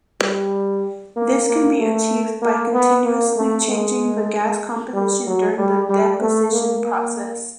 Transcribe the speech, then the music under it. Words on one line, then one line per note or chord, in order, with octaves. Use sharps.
This can be achieved by continuously changing the gas composition during the deposition process.
G3
A#3
A#3
A3
A#3
B3
A#3
A3
G#3
G3
F#3
G3
G3
A3
A#3
A#3